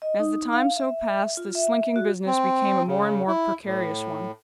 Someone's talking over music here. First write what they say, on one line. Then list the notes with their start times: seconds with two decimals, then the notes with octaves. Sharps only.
As the time so passed, this slinking business became a more and more precarious one.
0.02 D#5
0.19 D#4
0.53 F5
0.77 E5
1.37 F4
1.55 E5
1.96 F#4
2.26 C4
2.88 C#3
3.28 E4
3.65 A2